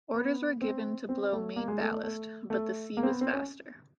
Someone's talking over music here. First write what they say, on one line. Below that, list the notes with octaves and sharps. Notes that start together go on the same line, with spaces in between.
Orders were given to blow main ballast, but the sea was faster.
B3
C4
C4
A3
A#3
G#3
A3
A3
A3
A3
A#3
C4
B3
C4
C#4